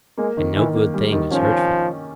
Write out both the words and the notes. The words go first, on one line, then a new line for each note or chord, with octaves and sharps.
And no good thing is hurtful?
G#3 A#3
D#3
D#3 E3
A#3
G3
D#3
F3 C#4
C#4